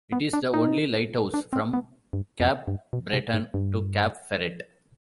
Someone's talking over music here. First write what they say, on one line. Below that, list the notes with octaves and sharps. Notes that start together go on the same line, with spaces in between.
It is the only lighthouse from Capbreton to Cap Ferret.
B3
D4
D#4
D4
C4
B3
G2
F2
G2
B2
C3
G#2
G2